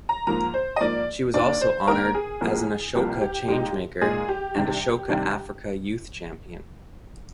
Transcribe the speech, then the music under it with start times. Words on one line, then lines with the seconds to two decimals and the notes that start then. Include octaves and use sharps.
She was also honoured as an Ashoka Changemaker and Ashoka Africa Youth Champion.
0.09 A#5
0.27 G#2 F3 A#3 A#5
0.54 C5
0.76 D#5
0.81 G#2 F3 A#3 D5
1.34 D#2 D#3 A#3 D4 D5
1.61 C5
1.88 D#2 D#3 A#3 D4 A#4
2.14 G#4
2.41 C2 C3 F3 A#3
2.95 C2 C3 F3 A#3 G4
3.21 G4
3.48 A#2 G#3 D#4 G4
4.01 A#2 G#3 D#4 G#4
4.28 G4
4.55 C3 D#3 G3 D4
5.09 C3 D#3 G3 D4